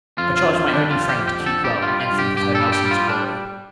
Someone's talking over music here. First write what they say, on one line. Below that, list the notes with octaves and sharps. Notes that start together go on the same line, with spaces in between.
I charge my only friend to keep well, and think of her Nelson's glory.
F2 F4
F4
D3
F4
G3
D4
F2 F4
G4
F2
G4
D3
A4
G3 G4
F4
G3
F4
G2
G4
G2 G4
A4
G3
G4
G3
F4
D4